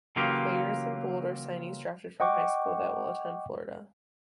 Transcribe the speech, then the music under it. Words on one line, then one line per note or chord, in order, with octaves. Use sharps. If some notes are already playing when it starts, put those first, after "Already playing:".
Players in bold are signees drafted from high school that will attend Florida.
C#3 E3 F#3 A#3 F4 G4
D#5 F#5 G5 C#6 D6